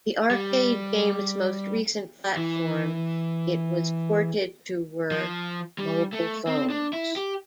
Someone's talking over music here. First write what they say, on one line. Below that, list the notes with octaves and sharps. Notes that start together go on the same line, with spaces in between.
The arcade game's most recent platform it was ported to were mobile phones.
G3
E3
F3
G3
A3
C4
D4
E4
G4